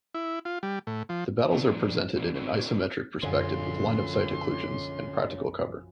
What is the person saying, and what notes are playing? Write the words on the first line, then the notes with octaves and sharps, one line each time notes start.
The battles are presented in an isometric perspective with line-of-sight occlusions and practical cover.
E4
F4
G3
A2
F3
A#2 D#3 F3 A3 B3 D4
E3 A#3 D4 E4
C4 D4 E4 F#4 B4
A#1 F#2 D3 C#4 F4 G#5 C6